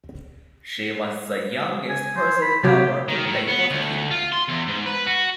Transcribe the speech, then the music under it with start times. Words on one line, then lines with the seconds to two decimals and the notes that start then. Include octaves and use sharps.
She was the youngest person ever to play for the team.
1.89 G#5
2.16 C5
2.42 B5
2.64 C3 F#3 F#4 G4
3.08 D#3
3.26 A2
3.48 B3
3.71 D2
4.11 F4
4.33 C6
4.49 E2
4.68 G#2
4.86 B4
5.07 F#4